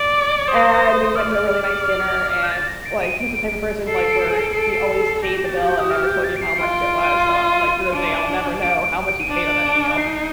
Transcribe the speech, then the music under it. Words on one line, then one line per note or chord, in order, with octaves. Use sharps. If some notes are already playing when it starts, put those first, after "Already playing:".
and we went to a really nice dinner and, like, he's the type of person, like, where he always paid the bill and never told you how much it was, so I'm like, to this day, I'll never know how much he paid on that meal.
Already playing: D5
D6
C5 D#6
D#6
D#6
D5 F6
F6
G6
A6
A#6
D7
D#7
D7
A4 C7
D7
C7
D7
C7
D7
C7
D7
A4 C7
D7
C7
G4 A#6
A6
G6
D#6
F6
G6
A6
D7
C7
F4 D7
D7
D#7
D4
D7
D7
D7
D#7
D4
D7
D#4 C7
C7